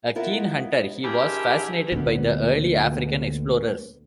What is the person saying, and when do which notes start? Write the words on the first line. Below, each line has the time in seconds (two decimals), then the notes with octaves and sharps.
A keen hunter, he was fascinated by the early African explorers.
0.15 B3 E4 F4 A#4 D#5 E5
1.04 D4 E4 F4 G4 G#4 A#4
1.92 D2 A#2 B3